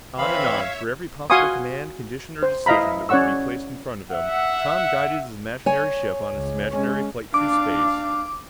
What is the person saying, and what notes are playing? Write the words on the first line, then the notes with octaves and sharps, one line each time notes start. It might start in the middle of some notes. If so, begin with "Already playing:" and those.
On and on, through every possible command, condition or decision that would be placed in front of him, Tom guided his imaginary ship on its imaginary flight through space.
E3 C4 C#5 E5 F5 B5
F#4 F5 G#5 C6 C#6 D#6
C5
E4 D#5 F5 A#5 B5
C#4 C#5 D5 F#5 C#6 E6
E5 F#5
C#5 G#5
C#2
G#3 C#4
D4 F5 D6